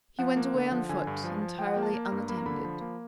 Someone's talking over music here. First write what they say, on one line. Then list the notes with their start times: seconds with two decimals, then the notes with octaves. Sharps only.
He went away on foot, entirely unattended.
0.19 F3 F#5
0.37 A#3
0.54 D3
0.72 F3
0.89 D3 G#5
1.07 G2
1.24 F3
1.42 F3
1.59 F3 G5
1.67 F#5
1.74 A#3 G5
1.83 A5
1.94 A#3
2.06 A#5
2.12 G2
2.29 A#3 B5
2.37 A#5
2.46 D3 B5
2.64 F3
2.81 A#3